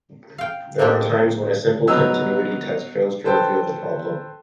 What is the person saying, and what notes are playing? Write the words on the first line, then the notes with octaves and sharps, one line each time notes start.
There are times when a simple continuity test fails to reveal the problem.
F5 G5
A2 A#3 C4 D4 G4
F#3 B3 D#4 E6
A4 B4 C5 G5 A5